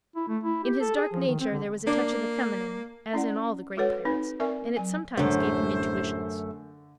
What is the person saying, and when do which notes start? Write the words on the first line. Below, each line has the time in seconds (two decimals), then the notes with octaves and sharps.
In his dark nature there was a touch of the feminine, as in all the great pirates, and it sometimes gave him intuitions.
0.16 E4
0.29 A3
0.44 E4
0.64 G4
0.81 A4
0.97 G#4
1.14 F3
1.27 D#3
1.40 C4
1.53 D3
1.87 A#3 D4
3.13 C#4 E4 D5 F#5
3.77 G#3 F#4 A4 B4 C#5 F#5
4.05 C4 D#4 B4
4.40 C4 A#4 D5 E5 G#5 C#6
4.76 F#3 G#5
5.17 A1 F#2 D3 A3 C5